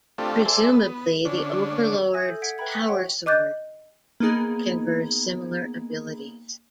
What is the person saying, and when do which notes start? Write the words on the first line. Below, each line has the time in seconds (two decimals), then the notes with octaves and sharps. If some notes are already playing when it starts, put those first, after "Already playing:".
Presumably the Overlord's Power Sword confers similar abilities.
0.18 A3 C4 D4 F4 G4 A4
0.46 G#4 A4 C5 D5 E5
0.73 B3
1.25 D3 C#4 D4
2.14 E5 G#5 D#6 G#6 A#6
2.26 A4 G6
2.42 F#5 G#6 B6 C#7 D7
2.58 B4 E5 G5 A#5 B5 G#6
2.71 G#5 D6 D#6 F#6 B6 C#7
2.88 C#5 E5 F#5 G5 C#6
3.26 D#5 D6 F#6 G6 A6
4.20 A#3 B3 D#4 G#4